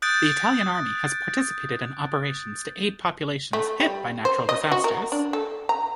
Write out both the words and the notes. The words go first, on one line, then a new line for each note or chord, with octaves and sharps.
The Italian Army has participated in operations to aid populations hit by natural disasters.
D#6 F#6 G6 A6 D7
A3
G3
C5
D#5
F#4
A#4
D4
A4
A#5